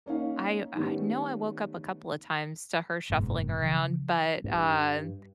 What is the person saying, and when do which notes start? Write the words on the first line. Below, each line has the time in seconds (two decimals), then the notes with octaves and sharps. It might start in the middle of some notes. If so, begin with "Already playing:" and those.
I I know I woke up a couple a times to her shuffling around, but, um,
0.06 A#3 C#4 D#4 F5
0.75 D#3 G3 A3 B3 C#4
3.10 F#1 G#2 B2
3.62 C#3 E3 F3
4.44 G2